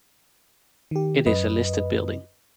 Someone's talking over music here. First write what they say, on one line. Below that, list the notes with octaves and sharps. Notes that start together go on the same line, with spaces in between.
It is a listed building.
D#3 G4
F#2 B4 D#5